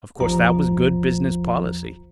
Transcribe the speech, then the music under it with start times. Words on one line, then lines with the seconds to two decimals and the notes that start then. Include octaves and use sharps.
Of course, that was good business policy.
0.20 A1 E2 F3 F4 C5 A#5